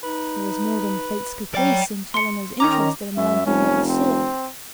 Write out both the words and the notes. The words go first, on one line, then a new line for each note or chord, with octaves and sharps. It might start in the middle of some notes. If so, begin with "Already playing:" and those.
There is more than Fate's caprice in Challoner's interest in a man he never saw.
D#4 B4
F#3 D5 G5
C6 C#7
D#3 C#4 A#5 D6
F#2 E5
F1 C#4
C4